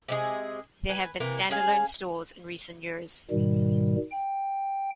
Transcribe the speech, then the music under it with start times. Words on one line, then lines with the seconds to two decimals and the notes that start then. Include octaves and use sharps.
There have been stand-alone stores in recent years.
0.08 C3 G#3 G#4
0.89 B4 G#5
1.20 C3 E3 A#3
1.50 C#4 G#4 F5 G#5
3.31 G#2 B2 D#3 G3
4.12 G5